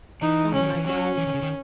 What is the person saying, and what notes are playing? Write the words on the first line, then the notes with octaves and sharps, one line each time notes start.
Oh my gosh.
E3 D#4
C#3 C#4
D#3
E3
F#3 C#4
E3
D#3
C#3
D#3